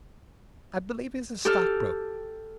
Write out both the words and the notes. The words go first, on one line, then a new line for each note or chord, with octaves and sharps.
I believe he's a stockbroker.
G4 A4 F6